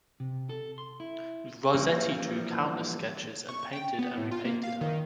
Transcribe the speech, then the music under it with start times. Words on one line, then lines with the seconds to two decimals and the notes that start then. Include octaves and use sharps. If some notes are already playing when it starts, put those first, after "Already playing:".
Rossetti drew countless sketches and painted and repainted her.
0.20 C3
0.49 A4
0.78 C6
1.00 E4
1.74 E3 F3 G3 A#3
3.49 C#6
3.73 G5
3.99 B3
4.17 A2
4.31 F4
4.45 A#3
4.63 F5
4.81 D#3